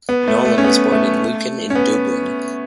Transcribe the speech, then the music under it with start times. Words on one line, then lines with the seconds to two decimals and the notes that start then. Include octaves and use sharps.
Nolan was born in Lucan in Dublin.
0.09 B3
0.28 A3
0.45 A3
0.58 C#4
0.64 B3
0.92 A3
1.70 C#4
1.75 B3